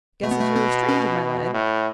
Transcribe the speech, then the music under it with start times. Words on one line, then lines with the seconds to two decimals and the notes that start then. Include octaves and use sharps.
"Guess as you're a stranger, my lad."
0.23 B2 A3
0.31 B3
0.40 A3
0.56 B3
0.89 C#4
1.53 A2